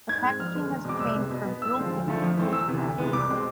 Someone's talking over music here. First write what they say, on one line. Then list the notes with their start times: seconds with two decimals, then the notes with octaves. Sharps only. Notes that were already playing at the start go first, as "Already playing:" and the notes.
The packaging has changed from jewel case to Digipak.
0.09 G#2 G#6
0.24 G#3 C4
0.39 F2 F6
0.54 D3 G#3 B3
0.70 E2
0.85 B2 G#3 C4 D6
1.00 C2 E6
1.16 C3 G#3 B3
1.31 B2
1.46 B3
1.61 A2 E6
1.77 F3 G#3 C4
1.91 D2
2.06 D3 F3 A3
2.22 F2
2.37 E3 A3 C4
2.53 E2 E6
2.68 C3 E3 B3
2.83 D2
2.98 C3 E3 G#3 B3
3.13 C2 D6
3.29 B2 G#3 C4